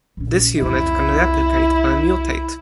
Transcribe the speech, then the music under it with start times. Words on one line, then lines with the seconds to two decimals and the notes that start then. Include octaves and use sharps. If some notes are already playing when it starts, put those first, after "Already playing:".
This unit can replicate or mutate.
0.17 A#1 C#4
0.62 C2 F2 E4